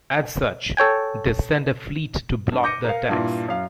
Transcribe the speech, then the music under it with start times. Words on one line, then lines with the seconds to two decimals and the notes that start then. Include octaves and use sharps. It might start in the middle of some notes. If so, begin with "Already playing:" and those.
As such, they send a fleet to block the attacks.
0.77 A4 C#5 G5 G#5
2.52 G2
2.63 D6 G6 A#6 C#7 D#7
2.84 A#4 F5
3.09 G2 A#2 E4
3.48 F#2 F5